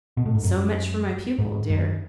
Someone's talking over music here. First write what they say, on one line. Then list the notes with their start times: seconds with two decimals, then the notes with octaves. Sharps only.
So much for my pupil, dear!
0.17 B2
0.26 A2
0.35 G#2
0.43 F#2
1.38 G#2
1.70 F#2